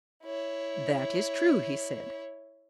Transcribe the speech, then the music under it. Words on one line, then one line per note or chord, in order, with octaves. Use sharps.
That is true, he said.
E4 C#5